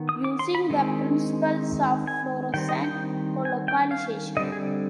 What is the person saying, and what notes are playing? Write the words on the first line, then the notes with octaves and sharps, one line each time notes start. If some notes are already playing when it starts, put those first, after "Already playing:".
Using the principles of fluorescent colocalization.
Already playing: D#3 B3
D#6
D6
C6
B5
D#3 G#3 C4
G#5
D#3 G3 C4 G5
D#5
G5
G#5
G5
F5
D3 G3 C4 D#5
G#4